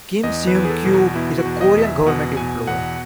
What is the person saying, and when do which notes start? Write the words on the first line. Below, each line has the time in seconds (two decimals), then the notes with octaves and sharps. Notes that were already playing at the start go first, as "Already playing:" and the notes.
Kim Seung-kew is a Korean Government employee.
0.23 E2 D#5
0.47 B4
0.55 E2
0.65 G#4
0.69 A4
0.85 B2
0.93 F#4
1.15 B2 E4
1.38 F#4
1.45 E2
1.61 D#5
1.76 E2
1.84 E5
2.06 B2 F#5
2.37 B2 G#5
2.67 E2 F#5